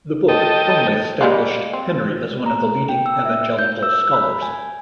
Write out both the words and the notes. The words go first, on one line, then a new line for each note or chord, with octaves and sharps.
The book firmly established Henry as one of the leading Evangelical scholars.
A4 D#5 G5
G3 G#3 A#3
C4
A#5
G5
E6
E5
G6
E6
B5
G#5